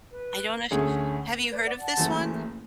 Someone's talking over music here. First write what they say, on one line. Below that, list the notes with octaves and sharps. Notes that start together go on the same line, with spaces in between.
I don't know if you've have you heard of this one?
B4
D2 D3 A3 C#4 G#4
B4
B4 D5
D5 F#5
F#5 A5
F#1 F#2 E3 A3